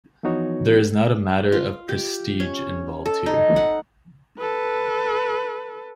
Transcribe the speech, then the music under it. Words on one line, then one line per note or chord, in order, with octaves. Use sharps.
There is not a matter of prestige involved here.
E3 F3 B3 D#4 F#4 C#5
F4
G4
C#4
A4
D#4
F#5
A4 B4